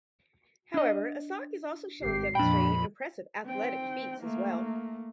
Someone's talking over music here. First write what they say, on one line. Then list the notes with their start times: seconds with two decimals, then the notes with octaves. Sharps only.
However, Asok is also shown demonstrating impressive athletic feats as well.
0.74 D4 D#5
2.01 G#1 G4 C7
2.35 F2 A#2 D4 G5 B5
3.45 C4 G5
4.21 A3 A#3